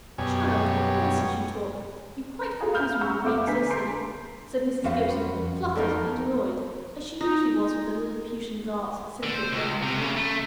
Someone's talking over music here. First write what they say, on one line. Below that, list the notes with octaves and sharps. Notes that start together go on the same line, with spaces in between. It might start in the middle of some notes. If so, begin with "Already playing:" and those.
"Child! what nonsense you talk; you quite confuse me with being so silly," said Mrs. Gibson, fluttered and annoyed as she usually was with the Lilliputian darts Cynthia flung at her.
F#2 B2 G3 C#5 G#5
G#4 A4 F5 G#5 A#5 D#6
F5 B5 F6 G6
F#5 A#5 B5 C#6 E6
F2 A3 E5 F5 D6
D3 B4 G#5 A#5 G6 B6
A5 A#5 C6 G6 C7 D7
F2 G3 C#4 F#4 C5 F5 F#5
G3 A#3 D#4 A4 D5
D#4
D3
C5
C#2
C3
C#3
A3